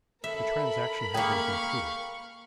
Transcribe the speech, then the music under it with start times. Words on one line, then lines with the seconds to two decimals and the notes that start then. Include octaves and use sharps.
The transaction had been concluded.
0.24 A4 A#4 E5 B5
1.14 A#3 G#4 F5 G5 C#6